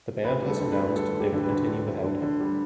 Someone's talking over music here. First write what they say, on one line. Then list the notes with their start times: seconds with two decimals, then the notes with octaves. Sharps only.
The band has announced they will continue without him.
0.24 D2 B4
0.42 G3
0.48 A4
0.60 D3
0.72 B4
0.77 D2
0.96 G3 A4
1.14 D3
1.20 G4
1.32 D3
1.44 B4
1.50 D2
1.69 D3
1.86 D2
2.04 D3
2.22 D3
2.40 G3